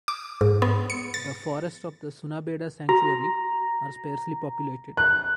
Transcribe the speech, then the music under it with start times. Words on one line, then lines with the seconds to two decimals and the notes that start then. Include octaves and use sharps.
The forests of the Sunabeda Sanctuary are sparsely populated.
0.08 D6
0.41 G#2
0.62 B3
0.90 C#7
1.14 A6
2.89 F#4 A#5
4.97 F#6